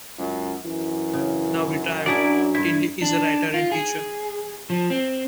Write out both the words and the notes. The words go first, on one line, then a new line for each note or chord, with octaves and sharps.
Now retired, Tinley is a writer and teacher.
C#2 F#2
F#2 E3
C#3
F#3 D4 E4 G#4 A#4 D5
G2 E4
D4
F4
G#4
F3
C4